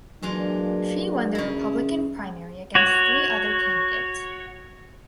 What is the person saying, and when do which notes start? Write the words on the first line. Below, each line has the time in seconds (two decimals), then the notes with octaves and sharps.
She won the Republican primary against three other candidates.
0.22 E3 F#3 G#3 A#3 D4 F4
1.35 C#3 E4
2.75 F#4 C#5